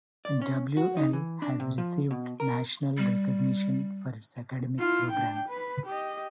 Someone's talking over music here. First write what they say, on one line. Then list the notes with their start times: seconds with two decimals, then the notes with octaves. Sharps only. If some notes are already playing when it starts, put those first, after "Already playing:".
W-L has received national recognition for its academic programs.
0.25 D5
0.42 C#4
0.77 F#4
0.97 D#4
1.13 E3
1.42 D4
1.60 C3
1.78 F3
2.11 B2
2.40 A#4
2.98 G3
4.79 E4 F4
5.12 D4 G5
5.49 B4 B5
5.86 G4 D#5